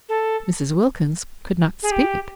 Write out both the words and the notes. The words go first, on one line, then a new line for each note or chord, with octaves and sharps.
Mrs. Wilkins could not speak.
A4
G#4
G4